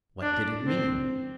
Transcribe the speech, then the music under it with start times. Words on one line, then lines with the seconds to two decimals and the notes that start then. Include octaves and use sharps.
What did it mean?
0.22 D4
0.67 C4